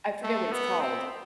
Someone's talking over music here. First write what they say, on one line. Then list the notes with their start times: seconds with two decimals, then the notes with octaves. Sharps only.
I forget what it's called,
0.23 A3
0.52 B3
0.80 C4